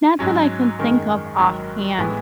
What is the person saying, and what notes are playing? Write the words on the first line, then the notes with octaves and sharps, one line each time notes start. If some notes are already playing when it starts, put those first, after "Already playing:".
Not that I can think of offhand,
G#2 F#3 C#4
F#2 D#3 G#3
G#1 G#2 D#3 F#3
A2 E3 G#3 B3